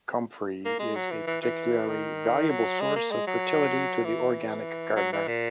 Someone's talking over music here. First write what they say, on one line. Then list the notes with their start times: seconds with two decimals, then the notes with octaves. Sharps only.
Comfrey is a particularly valuable source of fertility to the organic gardener.
0.65 A#3
0.79 G#3
0.95 F#3
1.11 E3
1.27 E3
1.42 E3
1.88 D#3
2.50 F#3
2.80 G#3
2.96 A#3
3.11 G#3
3.27 F#3
4.04 E3
4.96 F#3
5.12 E3
5.27 A#2